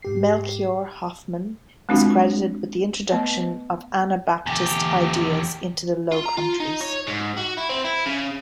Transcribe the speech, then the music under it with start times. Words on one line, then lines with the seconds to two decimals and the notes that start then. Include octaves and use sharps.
Melchior Hoffman is credited with the introduction of Anabaptist ideas into the Low Countries.
0.02 G#2 G4 C7
1.89 G#3 C4 D4 F4 F#4
3.12 A3 B3 B4 D#5
4.46 E2 G4
6.12 F4
6.26 A#5
6.37 F4
6.60 D#4
6.81 C#5
7.07 G#2
7.38 F#4
7.58 E4
7.69 C4
7.84 E4
8.05 C#3